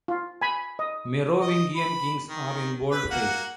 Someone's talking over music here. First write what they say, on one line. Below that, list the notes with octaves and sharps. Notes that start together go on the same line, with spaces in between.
Merovingian kings are in boldface.
F4
G#5 B5
D#5
D#5
B5
D#3
B4
A#3 F#4 F#5